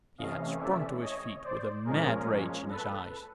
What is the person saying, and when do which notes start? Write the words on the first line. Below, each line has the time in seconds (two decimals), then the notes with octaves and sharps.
He had sprung to his feet with a mad rage in his eyes.
0.18 C3 E3 A3 C#4 D#5 F5
0.59 D5 E5
1.01 C#5 D#5
1.44 C5 D5
1.85 A#2 F3 G#3 C#4 G#4 A#4
2.69 A4 B4